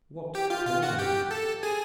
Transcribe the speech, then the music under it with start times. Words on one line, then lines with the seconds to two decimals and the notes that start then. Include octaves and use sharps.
What calamities?
0.35 G4 G5
0.50 F4 F5
0.67 F4 F5
0.82 F#4 F#5
0.99 G4 G5
1.31 A4 A5
1.63 G#4 G#5